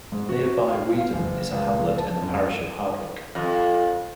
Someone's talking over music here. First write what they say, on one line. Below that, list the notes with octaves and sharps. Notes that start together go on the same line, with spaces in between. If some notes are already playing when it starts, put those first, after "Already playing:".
Nearby Weedon is a hamlet in the parish of Hardwick.
G#2
F#4
F5
F5
F#1
C#2
A5
F#2
F2